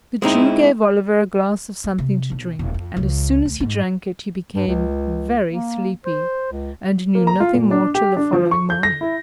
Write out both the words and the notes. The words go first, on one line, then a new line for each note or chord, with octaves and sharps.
The Jew gave Oliver a glass of something to drink, and as soon as he drank it he became very sleepy and knew nothing more till the following morning.
G#3 C4 D#4 E4
G3
C3
B1
E1
F2
C#2
D2
G#2
G2
C#2
A#3
C5
C#2
A#3
A#5
F4
A#2
D4
G4
D4
F3
C#6
G6
A#6
E4